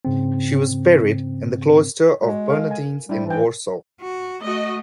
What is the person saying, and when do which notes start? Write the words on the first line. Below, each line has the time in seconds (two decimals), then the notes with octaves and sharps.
She was buried in the cloister of Bernardin's in Warsaw.
0.05 G#2 C#3 C4
2.23 G#3 F#4
2.50 A4 A#4 F5
2.71 G#5
3.09 G3 D4 E4 C5
3.26 E3 G5 A5
4.01 F#4
4.44 A3 F#4 D#5